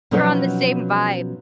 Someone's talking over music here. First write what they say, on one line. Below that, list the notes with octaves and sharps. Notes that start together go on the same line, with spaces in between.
We're on the same vibe.
B2 F3 F#3 C4 C#4 D#4